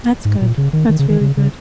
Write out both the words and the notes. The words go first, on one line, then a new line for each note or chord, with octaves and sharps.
That's good. That's really good.
G#2
A#2
C#3
D#3
D#3
C#3
D#3
C#3
C#3